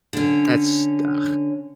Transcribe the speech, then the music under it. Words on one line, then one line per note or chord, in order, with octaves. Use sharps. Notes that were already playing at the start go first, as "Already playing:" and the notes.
That's ugh.
D3 C#4